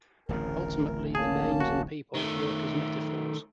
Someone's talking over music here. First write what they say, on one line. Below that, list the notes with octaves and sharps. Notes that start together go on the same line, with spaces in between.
Ultimately the names and people work as metaphors.
D1 A1 C#3 A#4
A#3 C#4 G#4 A5
F#4
D#3 A3